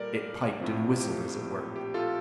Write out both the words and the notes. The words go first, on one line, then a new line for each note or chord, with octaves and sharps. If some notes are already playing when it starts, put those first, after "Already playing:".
It piped and whistled as it worked.
Already playing: A#2 G3 A4 A#4 D5
A#1 A2 F3 C4
G4
G4
F4 A4